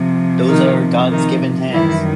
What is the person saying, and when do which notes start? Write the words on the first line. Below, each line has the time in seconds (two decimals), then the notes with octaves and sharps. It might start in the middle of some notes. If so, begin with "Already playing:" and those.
Those are God's given hands.
Already playing: C3 F3
0.49 D#3 D#4
1.11 D#3 D#4
1.73 F#2 D#3 E3 G3 E4